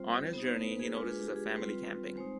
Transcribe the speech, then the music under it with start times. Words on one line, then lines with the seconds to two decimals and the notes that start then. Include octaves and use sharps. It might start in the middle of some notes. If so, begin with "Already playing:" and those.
On his journey, he notices a family camping.
Already playing: G3 C4 F4 C5
0.33 B3 D#4 C5
0.63 B4
0.80 G#4
0.94 G#3 D4 F4 B4
1.09 G#4
1.23 G4
1.36 G#4
1.56 G3 C4 F4 B4
2.17 G#3 C4 D#4 C5